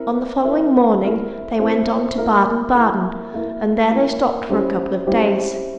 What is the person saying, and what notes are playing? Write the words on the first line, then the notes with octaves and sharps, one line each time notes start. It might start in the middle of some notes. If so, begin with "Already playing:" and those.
On the following morning they went on to Baden-Baden, and there they stopped for a couple of days.
Already playing: C4 E4 A#4 E5
C4 E4 A#4 E5
C4 E4 A#4 E5
C4 E4 A#4 E5
A#3 E4 A#4
A#3 E4 A#4
A#3 E4 A#4
A#3 E4 A#4
G3 C#4 E4 G4 C5
G3 C#4 E4 G4 C5